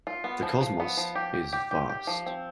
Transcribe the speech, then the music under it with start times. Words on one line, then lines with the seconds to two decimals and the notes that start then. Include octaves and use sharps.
The cosmos is vast.
0.07 F4
0.24 B3
0.43 F3
0.60 F3
0.80 B3
0.97 F3
1.15 G4
1.34 G4
1.53 G4
1.71 G4
1.89 G4
2.07 F3
2.26 C4